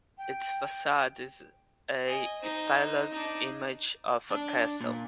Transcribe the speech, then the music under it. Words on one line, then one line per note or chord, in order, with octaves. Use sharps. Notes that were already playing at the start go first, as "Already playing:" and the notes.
Its facade is a stylized image of a castle.
G5
D#5 G#5
D#4 C5
D4 D#4
D4
A#2